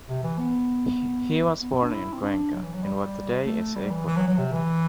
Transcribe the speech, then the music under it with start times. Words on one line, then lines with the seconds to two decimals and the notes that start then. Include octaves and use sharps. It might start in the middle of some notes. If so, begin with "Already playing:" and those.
He was born in Cuenca in what today is Ecuador.
0.09 C3
0.23 E3
0.39 B3
1.61 B3
1.71 C4
1.81 D4
1.92 E4
2.13 C4
2.22 D4
2.53 F#3
2.64 E3
2.74 F#3
2.84 G3
3.45 A3
3.76 G3
3.91 E3
4.07 E3
4.17 F#3
4.28 F#3
4.38 C3
4.52 E3